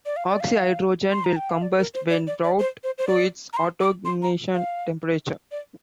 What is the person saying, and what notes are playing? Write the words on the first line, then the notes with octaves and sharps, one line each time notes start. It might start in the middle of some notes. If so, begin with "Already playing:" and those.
Oxyhydrogen will combust when brought to its autoignition temperature.
D5
F5
D5
F5
C6
A#5
G5
F5
D5
A#4
C5
D5
D5
D5
C5
C5
C5
D5
A#5
C6
D6
C6
A#5
F5
D5